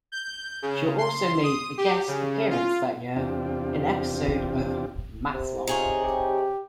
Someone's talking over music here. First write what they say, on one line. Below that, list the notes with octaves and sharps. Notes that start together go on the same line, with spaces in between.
She also made a guest appearance that year in an episode of "Matlock".
G6
C#3
C6
D#6
G4
C#3
F4
E2 C3 C4 D4 F4 G4
C3
D#4 F4 G#4 C#5
G4